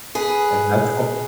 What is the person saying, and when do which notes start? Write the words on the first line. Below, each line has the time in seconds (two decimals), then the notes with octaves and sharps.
and that's some
0.15 G#4 B4